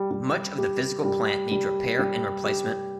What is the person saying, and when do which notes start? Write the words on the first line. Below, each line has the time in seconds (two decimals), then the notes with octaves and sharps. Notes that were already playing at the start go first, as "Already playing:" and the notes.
Much of the physical plant needs repair and replacement.
Already playing: G3
0.11 G3
0.58 G4
1.05 G3
1.52 G3
1.99 G3
2.45 G4